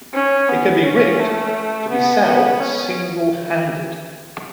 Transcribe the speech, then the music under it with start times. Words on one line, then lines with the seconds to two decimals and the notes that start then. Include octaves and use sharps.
It can be rigged to be sailed single-handed.
0.14 C#4
0.49 B3
0.84 C#4
1.20 A3
1.90 B3
2.24 B3
2.60 C#4